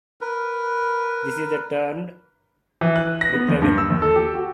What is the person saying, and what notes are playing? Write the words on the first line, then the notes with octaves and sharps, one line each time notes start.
This is termed "replevin".
A#4 B4
E3
F#6
A#6
B3
D#2
G2
E6
D#2
A4
G4
F#4